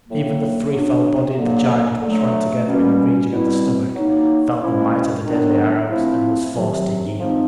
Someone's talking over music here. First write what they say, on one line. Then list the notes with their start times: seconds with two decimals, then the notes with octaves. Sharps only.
Even the threefold body of the giant which ran together in the region of the stomach, felt the might of the deadly arrows and was forced to yield.
0.07 A2 F#3 A#3
0.71 F#3 B3 D4
1.36 D3 F#3 A#3
2.01 D3 F#3 A3
2.66 B2 G3 A#3 C#4
3.30 B2 G3 C4 E4
3.95 F#3 A#3 D#4
4.60 F3 G#3 C#4 E4
5.24 D#3 F#3 B3 D4
5.89 F3 A3 C4 E4
6.54 C3 D#3 F#3
7.19 F3 G#3 C4 D#4